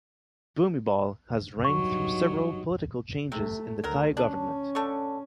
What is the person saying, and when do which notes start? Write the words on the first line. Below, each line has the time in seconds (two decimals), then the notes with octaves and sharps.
Bhumibol has reigned through several political changes in the Thai government.
1.65 G2 F#3 D#4 C#6
3.32 C3 A3
3.84 D2 F#3 A#4
4.17 C#4 D4
4.75 D3 A3 C#6